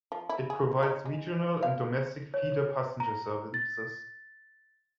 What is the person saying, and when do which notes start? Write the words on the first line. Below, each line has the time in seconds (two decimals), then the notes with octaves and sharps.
It provides regional and domestic feeder passenger services.
0.12 F3
0.29 E4
0.50 G#4
0.83 D#4
1.05 G#3
1.63 F5
2.34 C#5
3.00 A#5
3.54 A6